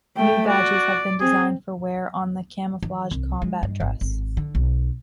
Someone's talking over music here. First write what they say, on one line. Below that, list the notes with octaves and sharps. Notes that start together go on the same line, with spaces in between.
New badges have been designed for wear on the camouflage combat dress.
A3 G5
F#4 D5
C4 G#4
E3
C2
G#3
G2
G#1
G#1
D3
B1